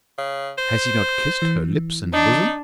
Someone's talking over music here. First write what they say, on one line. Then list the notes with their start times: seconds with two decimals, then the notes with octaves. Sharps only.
Has he not kissed her lips and bosom?
0.18 C#3
0.58 C5
1.42 E3
2.13 D4 D#4